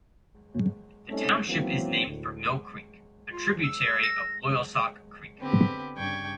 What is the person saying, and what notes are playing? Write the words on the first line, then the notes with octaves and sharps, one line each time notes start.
The township is named for Mill Creek, a tributary of Loyalsock Creek.
G3 A3 C4 C#4 D#4 A4
D#3 E3 F#3 A#3 C4 C#4
D2 A2
F4
E6
A#6
D3 B3 C4 G4 B4
G2 C#3 D4 G5 C#6 G#6